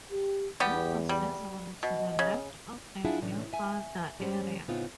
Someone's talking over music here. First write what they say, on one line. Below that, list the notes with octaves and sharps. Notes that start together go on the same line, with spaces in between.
This was visible to the left of the viewfinder area.
G4
E2 G3 B3 G4
G3
B2 D#5
C#3
D4 E4 F4 G#4 E5 F#5
A2 C3 E3 C#4 D4
E5 G#5
G2 G3 G#3 C#4 C5
A2 C#3 B3 C4 D#4 F4